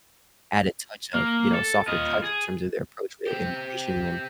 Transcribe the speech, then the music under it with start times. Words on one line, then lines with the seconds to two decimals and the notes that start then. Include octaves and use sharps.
add a touch of, you know, a softer touch in terms of their approach with immigration when,
1.14 A#3
1.54 A4
1.88 F4 D#5
2.24 G#4
3.27 C4 G4